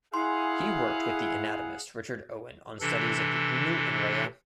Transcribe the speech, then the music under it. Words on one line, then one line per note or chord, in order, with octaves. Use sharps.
He worked with the anatomist Richard Owen on studies of the emu and rhea.
E4 G#4 F5 F#5 G#5 C6
C3 E3 D4 A4